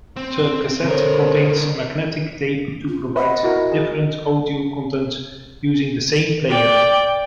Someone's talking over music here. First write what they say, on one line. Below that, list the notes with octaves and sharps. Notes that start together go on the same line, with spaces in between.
The cassette contains magnetic tape to provide different audio content using the same player.
C4
D3 A4 A#4 C5 C#5
F4
B4 D#5 F#5
E4 F#4 A#4
G#4
D5 G5